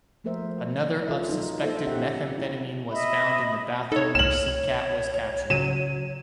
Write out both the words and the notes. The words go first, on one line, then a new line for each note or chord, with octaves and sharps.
Another of suspected methamphetamine was found in the bathroom where Seacat was captured.
F3 A3 A#3 A#4 C5 E5
F4 A4 E5
F#3 D#4
A#3 D#4 A4 C5 E5
C#4 G4 E5 F#5
E4
D#5 E5 B5
D#4 A4 C#5
C2 C#5 F6 E7 F#7
C#3 F#3 D#7 E7